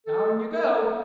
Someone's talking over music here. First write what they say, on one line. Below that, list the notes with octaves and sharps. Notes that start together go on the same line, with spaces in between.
'Down you go!
A4
A#4
A4